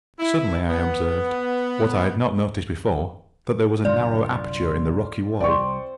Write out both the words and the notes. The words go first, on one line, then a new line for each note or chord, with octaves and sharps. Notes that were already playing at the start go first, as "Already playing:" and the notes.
Suddenly I observed, what I had not noticed before, that there was a narrow aperture in the rocky wall.
E4
B3
C2 F#2 D3 F4 D5
C2 G3 C4 C5 D5 C#6